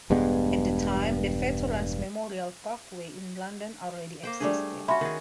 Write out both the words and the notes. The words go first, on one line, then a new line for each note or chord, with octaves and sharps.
At the time, the Veterans Memorial Parkway in London already existed.
E1 G2 G#3 B3
A#3 C5 G5
G3 A3 D4 G#4 D5
C#4 F#4 E5 B5 C6
D#3 G#4